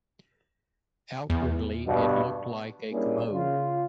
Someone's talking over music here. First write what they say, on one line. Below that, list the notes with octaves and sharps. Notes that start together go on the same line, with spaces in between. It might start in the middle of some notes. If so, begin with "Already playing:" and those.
Outwardly it looked like a commode.
E2
G2 B2
G3 A#3 C#4 D4 E4 G#4
C#3 F4